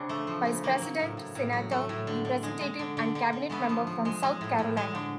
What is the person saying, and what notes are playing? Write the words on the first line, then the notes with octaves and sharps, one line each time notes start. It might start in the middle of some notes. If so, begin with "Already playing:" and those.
Vice-President, Senator, Representative and cabinet member from South Carolina.
Already playing: C#3 C4 D4
A3
F3
C#3
F#3 A#3
F#3
A2
A2
A2
F#3
A3
A2
D3
D3
G#3
G#3
D3
D3
D3
D3
G#3 A3 B3
F3
F3
G#3
G#3
A2
A2
G#3
D3